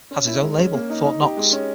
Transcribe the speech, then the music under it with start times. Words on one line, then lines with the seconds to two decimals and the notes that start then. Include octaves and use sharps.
Has his own label, Fortknox.
0.11 C#4
0.27 E4
0.42 G#3
0.58 C#4
0.74 A#3
0.90 D#4
1.05 D#4
1.21 G4
1.37 G#3
1.52 C#4